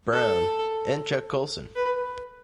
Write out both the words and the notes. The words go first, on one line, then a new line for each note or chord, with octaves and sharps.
Brown, and Chuck Colson.
A4
B4